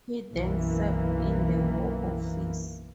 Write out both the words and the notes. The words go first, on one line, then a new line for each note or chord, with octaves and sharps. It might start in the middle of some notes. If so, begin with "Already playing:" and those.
He then served in the War Office.
B1 F#2 E3 A#3